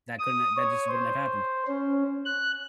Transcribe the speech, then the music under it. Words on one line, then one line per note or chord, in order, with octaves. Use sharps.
that couldn't, uh that just wouldn't have happened,
D#6
C#5
C5
C#4
F#6